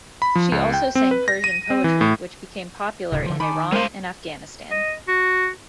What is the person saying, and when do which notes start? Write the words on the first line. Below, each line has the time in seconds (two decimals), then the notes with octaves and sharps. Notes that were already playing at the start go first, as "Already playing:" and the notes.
She also sang Persian poetry, which became popular in Iran and Afghanistan.
0.22 B5
0.35 F3
0.52 C#2
0.74 G5
0.95 C4
1.11 B4
1.28 A#6
1.44 D#7
1.70 C4
1.84 E3
2.01 A2
3.12 D1 C#3
3.26 D3 F3
3.40 D#3 G#5 A5 B5 D6
3.72 G#3 A#4 C5 F5 C6
4.71 D#5
5.08 F#4